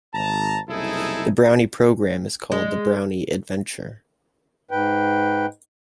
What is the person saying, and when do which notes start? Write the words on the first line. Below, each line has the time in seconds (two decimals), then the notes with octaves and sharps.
The Brownie programme is called the Brownie Adventure.
0.15 G#1 A5 A#5
0.69 F#1 C2 D#4 E4 G#4 A4
2.52 G#3
4.71 G#2 B4 G5